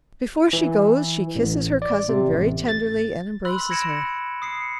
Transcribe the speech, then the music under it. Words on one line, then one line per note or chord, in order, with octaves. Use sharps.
Before she goes, she kisses her cousin very tenderly and embraces her.
E3
A1
D5
C3
A1
A6
B5 C6 E6 F#6 F#7
B5 G#6 A#6 C#7 D7 E7
D#6 C7 C#7